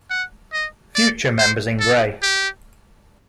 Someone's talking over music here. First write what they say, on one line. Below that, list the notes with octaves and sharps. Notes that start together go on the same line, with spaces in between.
Future members in gray.
F#5
D#5
D5
C5
A4
G4